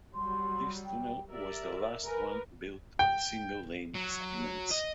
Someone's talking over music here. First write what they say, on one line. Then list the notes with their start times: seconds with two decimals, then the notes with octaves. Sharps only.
This tunnel was the last one built with single-lane segments.
0.14 F#3 G3 C6
0.85 G5
1.31 G4 A#4 D5 E5
2.05 A#4 B4 G#5
2.99 G5
3.95 F#3
4.71 D#5